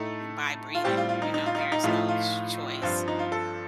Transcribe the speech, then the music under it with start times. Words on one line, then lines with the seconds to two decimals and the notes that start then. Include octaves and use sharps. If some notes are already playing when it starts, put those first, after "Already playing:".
by breathing, you know? There's no ch choice
Already playing: A2 A3 D#4 A4
0.75 F4
0.84 A2 G3 C4 G4
0.97 F4
1.09 F4
1.22 D#4
1.34 D#4
1.46 F4
1.55 D#4
1.58 F4
1.72 D#4
1.83 A2 F3 A3 D#4 F4
2.08 F4
2.82 G2 F3 C4 F4
3.08 D#4
3.19 F4
3.32 A4